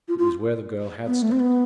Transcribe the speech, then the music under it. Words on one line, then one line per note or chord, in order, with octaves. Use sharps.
It was where the girl had stopped.
F4
F4
B3
A3
C4
B3